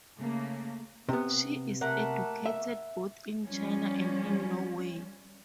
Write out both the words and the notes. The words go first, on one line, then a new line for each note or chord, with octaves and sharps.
She is educated both in China and in Norway.
C#3 A3 A#3
C3 B3
A3 A#3 F#5
E5
F3 G3 C#4